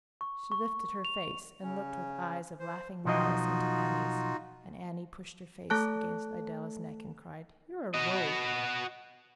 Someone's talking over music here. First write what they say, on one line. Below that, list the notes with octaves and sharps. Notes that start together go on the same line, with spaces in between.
She lifted her face, and looked with eyes of laughing malice into Annie's, and Annie pushed her face against Idella's neck and cried, "You're a rogue!"
C#6
C#6
F7
C#3 C#4
C5
B1 F3 D#4 F4 F#4 D#5
A3 A4 A5 F#6
F#4 D#5